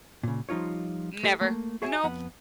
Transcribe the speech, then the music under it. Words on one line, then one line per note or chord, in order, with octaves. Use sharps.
Never. Nope.
A#2 C#3
F3 G3 D#4 F4 C#5
A3 G4 A4 C5 D#5
A3 A#3
F#4 G#4 C#5 E5 F#5 G#5
F2 B3 F#5